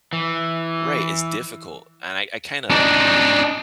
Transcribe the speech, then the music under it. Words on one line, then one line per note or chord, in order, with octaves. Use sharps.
Right, it's difficult, and I I kinda
E3
D4 D#4